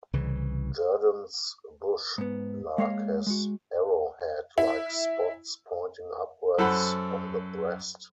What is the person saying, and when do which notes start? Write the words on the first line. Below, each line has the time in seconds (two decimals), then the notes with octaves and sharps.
Jerdon's bush lark has arrowhead-like spots pointing upwards on the breast.
0.13 C2 C#3 E3
2.18 G#2 B3
2.78 G#3 A#3 C#5 D#5 F5
3.27 G#3 F#4
4.58 E4
6.58 F#2 A4 C5 F#5 B5